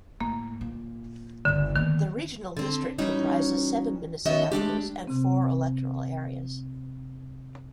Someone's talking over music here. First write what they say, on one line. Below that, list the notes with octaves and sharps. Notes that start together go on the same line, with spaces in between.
The regional district comprises seven municipalities and four electoral areas.
A2 A#3
A#2
G1 C#2 D3
D#3 A#3 B3
D3 C4
E3 G3 C#4 D#4 F#4
D#3 B3 C#4 F#4 D#5 E5
G#3 A3 D4 G4
C3 C4